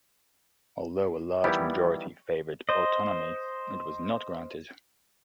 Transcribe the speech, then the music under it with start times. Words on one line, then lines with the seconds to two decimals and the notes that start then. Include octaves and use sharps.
Although a large majority favoured autonomy, it was not granted.
1.44 D#3 E3 G3 B3 E4 G4
2.69 C5 D#5